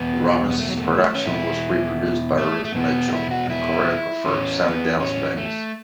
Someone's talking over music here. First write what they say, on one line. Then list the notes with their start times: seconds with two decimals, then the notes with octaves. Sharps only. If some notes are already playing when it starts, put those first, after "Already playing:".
Robbins' production was reproduced by Ruth Mitchell and choreographer Sammy Dallas Bayes.
Already playing: E2 B2 B3
0.50 B3
0.59 A3
0.69 F#3
0.78 A3
1.15 C#4
1.25 E2 B2 E4
2.38 A3
2.65 A3
2.74 E2 B2 B3
3.08 F#4
3.13 E4
3.31 F#4
3.50 E4
4.24 E2 E3 C#4
4.63 B3
5.00 C#4
5.37 A3